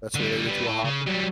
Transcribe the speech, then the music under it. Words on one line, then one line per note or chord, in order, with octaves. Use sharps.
that's related to a hobby?
D3 G3
G3 B3
E4 A4
C#3
F#3 G3